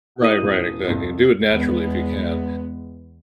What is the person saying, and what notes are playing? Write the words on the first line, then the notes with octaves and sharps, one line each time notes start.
Right, right, exactly. Do it naturally if you can.
D#4 E4 G4 D5 D#6 D#7
E1 A1
C2 F2
E2 G#3 B3